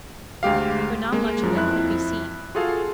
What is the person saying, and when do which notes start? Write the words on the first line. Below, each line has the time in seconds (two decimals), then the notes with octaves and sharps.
But not much of it could be seen.
0.43 D2 G#3 G4 F5
1.12 G#3 A#3
1.43 F#2 F3
1.55 F2 E4 F#6
2.55 F4 F#4 G#4 A4 F5